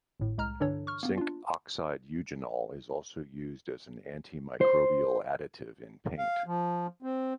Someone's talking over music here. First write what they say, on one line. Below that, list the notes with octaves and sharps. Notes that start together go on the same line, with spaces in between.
Zinc oxide eugenol is also used as an antimicrobial additive in paint.
G#1 A2
C2 G#3 A#5 F6
G2 D3 E3 D4 A4 C#5
C#6 F6
A#3 B3
D4 F4
C5
F5
F3
C4